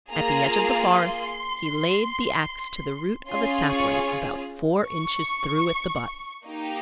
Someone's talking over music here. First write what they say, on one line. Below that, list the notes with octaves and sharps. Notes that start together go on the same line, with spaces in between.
At the edge of the forest he laid the axe to the root of a sapling about four inches through at the butt.
A#3 F4 G#4 A#5
C6
C#4 F4 G#4 C6
C#6
C#6
A#3 D#4 G4